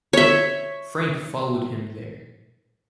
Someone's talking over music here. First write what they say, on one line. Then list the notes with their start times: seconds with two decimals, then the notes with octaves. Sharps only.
Frank followed him there.
0.13 C#5 E5